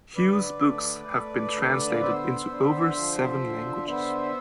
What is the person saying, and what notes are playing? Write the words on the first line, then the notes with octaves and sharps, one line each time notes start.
Hughes' books have been translated into over seven languages.
D3 B4 D5
A3
A3
D3
F5
B3 C5 E5
D3
F3
D3
B3 C5 E5